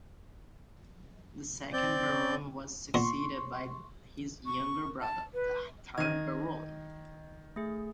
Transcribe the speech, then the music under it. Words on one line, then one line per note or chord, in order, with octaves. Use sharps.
The second Baron was succeeded by his younger brother, the third Baron.
C4 D5 G6
A#2 B3 C6 C#6
C#6
A5
B4
D#3 D#5 G#6 D#7
A3 G#4